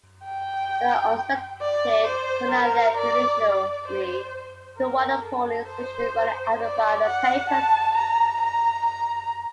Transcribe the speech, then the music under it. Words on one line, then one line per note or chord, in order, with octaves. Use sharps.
The unexpected turnout led unusually to one polling station running out of ballot papers.
G5
D5
C5
A#4
D5
D5
C5
A#4
A4
C5
D5
F#5
A5
A#5
A#5
A#5